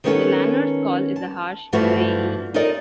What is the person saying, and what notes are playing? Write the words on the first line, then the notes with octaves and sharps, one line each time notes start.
The lanner's call is a harsh "wray-e".
D#3 G#3 B3 C#4 D#4 A4
A5
G2 D3 E3 F3 A3 F#4
D#4 F4 A4 A#4 D5 D#5